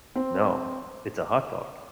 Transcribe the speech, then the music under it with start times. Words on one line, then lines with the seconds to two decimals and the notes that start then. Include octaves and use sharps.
No. It's a hot dog.
0.16 C4